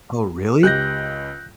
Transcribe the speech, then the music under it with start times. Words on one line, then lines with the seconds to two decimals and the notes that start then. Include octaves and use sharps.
Oh, really?
0.63 C#2 G4 F#6 G6 A#6